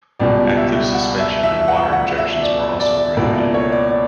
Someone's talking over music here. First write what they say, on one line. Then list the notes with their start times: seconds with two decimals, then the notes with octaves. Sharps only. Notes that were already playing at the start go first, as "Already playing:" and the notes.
Active suspension and water injections were also prohibited.
0.19 C#2 B2 G3 D5
0.57 E5
0.94 F#5
1.19 E5
1.43 E5
1.68 F#5
1.93 F#5
2.18 E5
2.42 D5
2.80 D5
3.16 C#2 B2 A#3 E4 D5
3.36 D5
3.54 C#5
3.72 D5
3.91 D5